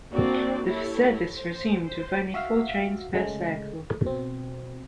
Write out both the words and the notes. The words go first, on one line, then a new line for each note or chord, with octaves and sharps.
The service resumed with only four trains per circle.
A#3 C4 D4 F#4 D5
E4 G4 A4 C#5
C5
C5
F#4 E5 F5
C#3 G#3 A3
B2 C4